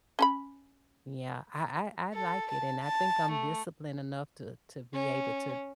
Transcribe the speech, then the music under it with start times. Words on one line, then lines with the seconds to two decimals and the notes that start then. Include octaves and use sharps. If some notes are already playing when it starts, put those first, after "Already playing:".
yeah, I I I like it, and I think I'm disciplined enough to to be able to,
0.19 C#4 A5 B5
2.14 A4
2.51 A5
2.83 A5
3.32 A3
4.94 C#4